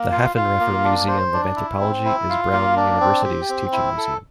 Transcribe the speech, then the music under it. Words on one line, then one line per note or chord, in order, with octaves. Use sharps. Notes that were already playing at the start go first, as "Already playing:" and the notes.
The Haffenreffer Museum of Anthropology is Brown University's teaching museum.
Already playing: A#3
F4
F4
A#3
D4
C5
D4
E4
C4
E4
F4
A#3
D4
C4
G4
C4
E4
A4